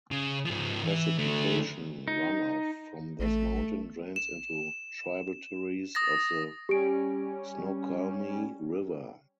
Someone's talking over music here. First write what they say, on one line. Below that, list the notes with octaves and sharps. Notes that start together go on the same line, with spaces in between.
Precipitation runoff from this mountain drains into tributaries of the Snoqualmie River.
C#3
G#2 F3
E3
D3 A3
D#4
A1 A3
E7
D#6 A6 A#6
G3 C#4 G4 D7